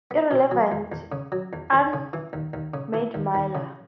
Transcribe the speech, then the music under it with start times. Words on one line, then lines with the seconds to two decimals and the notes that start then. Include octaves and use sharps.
Irrelevant, Ahmad Miller.
0.11 B3
0.31 B2
0.51 F#3
0.71 E2
0.92 E2
1.12 C#3
1.32 F#3
1.53 E2
1.73 E2
1.93 C#3
2.13 E3
2.33 D#2
2.53 D#2
2.74 C#3
2.94 E3
3.14 D#2
3.35 D#2
3.55 C#3